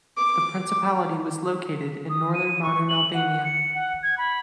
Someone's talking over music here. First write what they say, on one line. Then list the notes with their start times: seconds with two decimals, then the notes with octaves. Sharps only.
The principality was located in northern modern Albania.
0.17 D6
2.09 D#6
2.34 D#7
2.63 C#6
2.89 F#7
3.14 F#5
3.45 C#7
3.75 F#5
4.03 G#6
4.18 B5